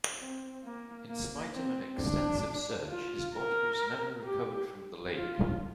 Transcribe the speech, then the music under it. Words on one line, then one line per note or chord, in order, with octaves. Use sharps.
In spite of an extensive search, his body was never recovered from the lake.
C4
A#3
A#3
C4
D4
F4
A#4
G4
F4